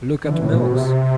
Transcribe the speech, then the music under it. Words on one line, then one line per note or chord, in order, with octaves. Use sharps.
Look at Mills!
D3
E3
A2
B2
C3